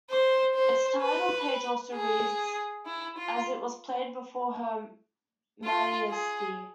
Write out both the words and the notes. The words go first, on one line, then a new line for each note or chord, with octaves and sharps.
Its title page also reads: As it was played before her Maiestie.
C5
C5
B4
G#4
E4
F4
F4
G#4